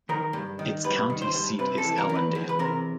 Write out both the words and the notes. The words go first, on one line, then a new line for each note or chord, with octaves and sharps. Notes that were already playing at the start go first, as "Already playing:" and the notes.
Its county seat is Ellendale.
D#3 A#4
G2
D#3
G2 B4
D#3
C5
G2
C3 B4
A4
E3
A#4
E2
B4
E2
B4
C3 A#4